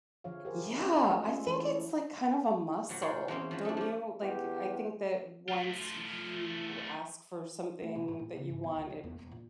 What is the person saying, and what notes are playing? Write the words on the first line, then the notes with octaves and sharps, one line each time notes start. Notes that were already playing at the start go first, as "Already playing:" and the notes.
Yeah, I think it's, like, kind of a muscle, don't you? Like, I think that once you ask for something that you want, it
D3 F3 G#4 C#5 E5 F5
G4 G#4 A#4 C5 F5
C4 C#4 F4 G#4 D#5
G#3 A3 F4 A4 D5 D#5
C#4 G#4 A4 E5
E3 F3 E4 G#4 A4 C5
A#2 F3 F#3 F#5
F#4 G#4 C5 D5 F5 F#5
E2 A#3 C4 C#4
F3 F#3
A3 D4
F3 D4
E2 G4
A3 F4
A3
B2
G#2
A#2
C#3
G#2
B3
D2
E1
E2
E1
A#2